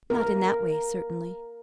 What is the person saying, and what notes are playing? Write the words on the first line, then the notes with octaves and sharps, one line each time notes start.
"Not in that way, certainly."
A#4